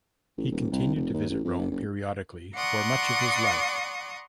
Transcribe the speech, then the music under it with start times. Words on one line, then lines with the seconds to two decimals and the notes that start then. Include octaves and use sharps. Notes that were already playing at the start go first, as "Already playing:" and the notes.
He continued to visit Rome periodically for much of his life.
0.37 A1
0.51 D#1
0.72 C2
0.95 F1
1.13 D#2
1.30 A1
1.44 F2
1.59 F#1
1.71 F#1
2.56 D5 F#5 A#5 C6 C#6 D#6